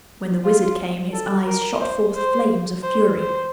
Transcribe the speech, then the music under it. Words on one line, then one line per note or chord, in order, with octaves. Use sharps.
When the wizard came, his eyes shot forth flames of fury.
F4
A4
A#4
C5
C5
C5
C5